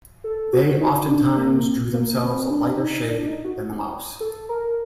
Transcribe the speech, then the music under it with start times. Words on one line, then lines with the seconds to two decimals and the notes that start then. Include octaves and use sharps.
They oftentimes drew themselves a lighter shade than the mouse.
0.24 A4
0.53 F#4
0.81 D#4
1.09 D4
1.37 A#3
1.93 A#3
2.23 C4
2.51 D4
2.79 D#4
3.08 D4
3.27 D#4
3.45 F#4
4.20 A4
4.49 A#4